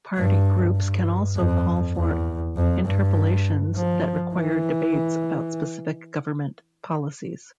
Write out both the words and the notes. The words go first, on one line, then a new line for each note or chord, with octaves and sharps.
Party groups can also call for interpellations that require debates about specific government policies.
G2
G2
F2
E2
F2
G2
F3
E3